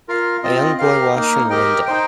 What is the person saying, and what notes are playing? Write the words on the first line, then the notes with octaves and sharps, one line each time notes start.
A young boy washing a window.
F4 A#4 F5
C4 F4 D#5
G4 A#4 F5
A#3 D#4 A#4
G4 A#4 D#5 G5
D#4 C5 G5